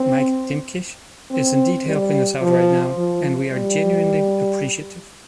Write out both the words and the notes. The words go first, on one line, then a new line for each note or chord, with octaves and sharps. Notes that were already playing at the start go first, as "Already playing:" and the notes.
Mike Dimkich is indeed helping us out right now, and we are genuinely appreciative.
Already playing: C4
C4
G3
F3
F3
G3